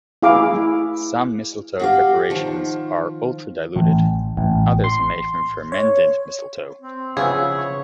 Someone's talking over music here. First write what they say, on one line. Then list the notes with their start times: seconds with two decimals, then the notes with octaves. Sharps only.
Some mistletoe preparations are ultra-diluted; others are made from fermented mistletoe.
0.23 E4 G#4 F5 D6
1.79 F#4 G4 F5
2.30 D#3 F3
3.76 A1
4.37 A1
4.84 C6
5.72 C#5
6.82 C4
7.17 C#3 F3 B3 G#4 E5
7.57 C#5